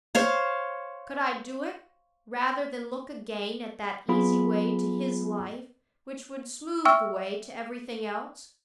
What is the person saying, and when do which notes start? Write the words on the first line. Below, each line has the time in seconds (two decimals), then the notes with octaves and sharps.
Could I do it, rather than look again at that easy way to his life which would smooth the way to everything else?
0.15 C5 C#5 F5
4.09 F#3 B3 F4 G#4 B5
6.85 E5 G5 C#6 E6 F6